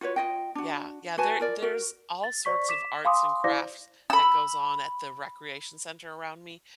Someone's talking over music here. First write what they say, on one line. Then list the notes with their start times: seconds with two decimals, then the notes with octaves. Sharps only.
Yeah, yeah, there there's all sorts of arts and crafts that goes on at the recreation center around me,
0.01 F4 F#4 B4 C#5
0.16 F4 D#5 G5
0.55 D4 F#4
1.18 F#4 B4 G#5 A5
1.39 F4 A#4 D5
1.62 F#4 A#4
2.24 A6
2.45 C5 D5 C#6 B6
2.69 D6 B6 E7
3.05 F5 G#5 B5 C6 D6 D#6
3.44 E4 C5 D5 F5 D6 A#6
4.10 B5 E6